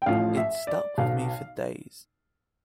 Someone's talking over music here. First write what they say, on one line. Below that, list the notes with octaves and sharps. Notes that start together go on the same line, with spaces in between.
It stuck with me for days.
G5
A1 A2 F3 F5
E5
D5
B1 B2 F5